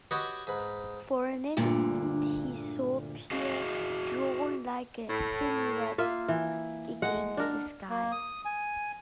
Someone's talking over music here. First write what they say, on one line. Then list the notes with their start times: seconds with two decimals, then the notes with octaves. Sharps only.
For an instant he saw Pierre drawn like a silhouette against the sky.
0.11 F#4 G4 B4 C#5 D#5 F#5
0.47 G#2 B4
1.57 D2 G2 A#2 D3
3.31 F#4 G#4 D#5 F5
5.10 A2
5.98 A#3 F4 E5
6.28 E3
7.02 G#3 F#5
7.37 D4 A#4
7.90 A#3
8.12 D#6
8.45 G#5